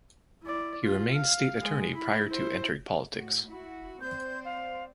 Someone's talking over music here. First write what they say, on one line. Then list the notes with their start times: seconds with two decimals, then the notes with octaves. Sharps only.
He remained State Attorney prior to entering politics.
0.43 E4 D5
0.83 F4
1.14 F5
1.62 G#3
1.95 E4 B5
2.27 E4 C5
3.14 A2 F#4
3.46 E4 F#4
4.00 C4 C5 D5 G6
4.44 F5